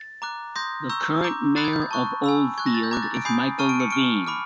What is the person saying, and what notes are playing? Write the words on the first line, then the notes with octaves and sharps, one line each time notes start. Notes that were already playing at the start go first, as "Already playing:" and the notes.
The current mayor of Old Field is Michael Levine.
Already playing: A6
A#5 D6 F#6
C6 D#6 G6 A#6
A#5 C#6 E6 G6
A#5 D6 G6
B5 D#6 F#6 A6
G#6
G6
G#6
A5 C#6 F#6
G#5 B5 E6
C#6 F#6 G#6
A#6
A6
G6
A#5 D6 F#6 G#6
A6
D7
G#5 B5 D#6 G6 C7
A5 C#6 F6 D#7
D7
C#7
C#6 F6 D7
B5 D6 F6